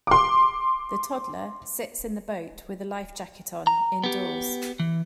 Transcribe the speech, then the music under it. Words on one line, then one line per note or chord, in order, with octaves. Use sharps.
The toddler sits in the boat with a life jacket on indoors.
C6 D6
A#5
B3 G4
E3